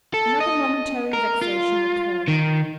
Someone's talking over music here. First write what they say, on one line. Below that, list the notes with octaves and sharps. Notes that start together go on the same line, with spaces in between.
Another momentary vexation occurred.
A4
D#5
A#4
F4
D#3